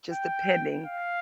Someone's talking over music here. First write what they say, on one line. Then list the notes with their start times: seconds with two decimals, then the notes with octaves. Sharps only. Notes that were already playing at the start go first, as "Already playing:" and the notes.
just depending,
0.13 G5
0.85 F5